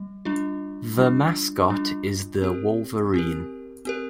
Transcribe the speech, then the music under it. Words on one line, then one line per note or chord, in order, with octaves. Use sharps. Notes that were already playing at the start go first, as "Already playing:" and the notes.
The mascot is the Wolverine.
Already playing: G3
G3 D4 F4
G3 D4 F4
G3 D4 F4
C4 G4 A#4
C4 G4 A#4
C4 G4 A#4